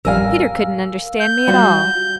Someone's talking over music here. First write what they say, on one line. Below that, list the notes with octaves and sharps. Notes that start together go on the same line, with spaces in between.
Peter couldn't understand me at all.
A1 F2 G3 A#4 F5 G#5 E6
G6
G3 F4 F#4